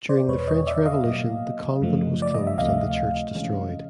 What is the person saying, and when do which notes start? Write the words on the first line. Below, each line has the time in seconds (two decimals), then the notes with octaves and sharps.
During the French Revolution the convent was closed and the church destroyed.
0.09 C5 D5
0.28 E2 B2 G#3 B4 C#5
0.47 C#5 D#5
0.67 D5 E5
0.86 D#5 F5
1.05 B2 F#3 A#3
1.82 F#2 C#3 F3 A3
2.22 D5
2.34 D#5
2.47 E5
2.58 D2 C3 F3 A3 D#5 F5
3.35 C3 E3 G#3 C#4